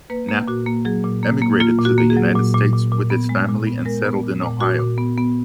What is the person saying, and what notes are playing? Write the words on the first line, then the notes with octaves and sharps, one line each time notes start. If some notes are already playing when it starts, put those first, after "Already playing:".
Knappe emigrated to the United States with his family and settled in Ohio.
A#3 B4
A#3
A#2 F#4
A#3
F#3 G#4
A#2
A#3
A#3
A#3 F4
A#2
F#4
A#3
G#4
F#3
A#2
A#2
A#2
A#2
B3
G#3
A#2
B3
G#3 A#4
B3
A#2
A#2
A#2 F#4
A#2
B3
B3